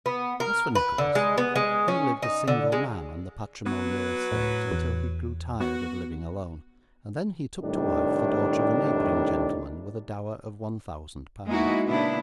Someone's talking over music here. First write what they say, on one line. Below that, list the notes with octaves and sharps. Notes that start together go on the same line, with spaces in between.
As for Nicholas, he lived a single man on the patrimonial estate until he grew tired of living alone, and then he took to wife the daughter of a neighbouring gentleman with a dower of one thousand pounds.
B3
A#4
B4
D3
G#3
B3
G#3
C#4
D#4
D3
G#3
F#3 B3 B4
A2
E2
B3 F#4
C2 A2 D#3 G3 D4
G#3 A#3 B3 D#4 E4 F#4
A#2 C#3 B3 D4 E4